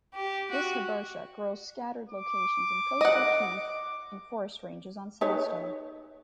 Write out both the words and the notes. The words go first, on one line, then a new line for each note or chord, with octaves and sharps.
This hibbertia grows scattered locations in coastal heath and forest ranges on sandstone.
G4
F#4
D6
D#5 F#5
D#4 B4 C#5